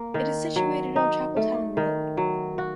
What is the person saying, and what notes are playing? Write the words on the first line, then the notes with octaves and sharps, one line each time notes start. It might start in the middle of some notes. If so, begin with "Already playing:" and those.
It is situated on Chapeltown Road.
Already playing: A#3
D#3
F#3
D#4
A3
D#3
F#3
F#4